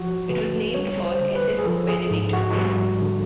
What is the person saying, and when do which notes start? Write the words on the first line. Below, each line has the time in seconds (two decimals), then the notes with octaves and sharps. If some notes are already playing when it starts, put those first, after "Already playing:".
It was named for S. S. Benedict.
Already playing: F3 F#4
0.29 D3 B4
0.74 G3 C#5
1.05 C5
1.20 D3
1.35 B4
1.58 G#4
1.65 F3 A4
1.89 G#4
2.11 G#2
2.33 F#4
2.56 G3
3.02 D3